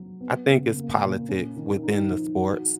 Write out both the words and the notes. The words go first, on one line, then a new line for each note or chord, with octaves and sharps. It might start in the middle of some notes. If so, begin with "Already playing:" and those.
I think it's politics within the sports.
Already playing: F#3
B3
C#3
A#3
A#2
C#4
D#3
D#4
F3
F#4